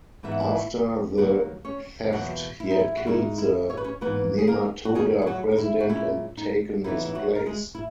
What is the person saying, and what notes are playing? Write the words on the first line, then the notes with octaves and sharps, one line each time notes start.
After the theft, he had killed the Nematoda president and taken his place.
G#2 E3 B3 D#4 E5
F#5
E4 E5
D#3 F#3 A#3 B3 B4
C#4 C#5
E2 B2 F#3 A#3 F#4
E4
D#4
E4
F#4
G#2 D#3 G#3 D#4 E4
E4
C#5
B4
C#4 C#5
G#2 E3 A#3 B3 D#4 B4
G#4
A#3 A#4
F#4
F#2 D#3 F#3 G#3 G#4
E4
F#3 F#4
D#4
E4
F#4
A#2 G#3 C#4 E4
D#4
C#3 E3 B3 D#4 E4
E4
F#3 F#4
A#4
G#3 G#4
E4